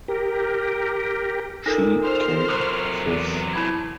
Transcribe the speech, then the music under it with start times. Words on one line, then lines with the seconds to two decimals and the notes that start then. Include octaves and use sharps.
She came fifth.
0.08 G4 A#4
1.66 D#4 F4 A4 A#4
2.03 C5 F6
2.48 C3 F#3 D#6 F#6 C7
3.02 E2
3.53 E4 B5 G#6